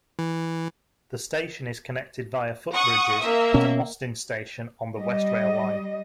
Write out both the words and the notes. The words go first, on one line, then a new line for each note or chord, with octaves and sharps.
The station is connected via footbridges to Austin Station on the West Rail Line.
E3
F#5 C#6 D#6
A#3 E5
B2 C#4
G3 D#5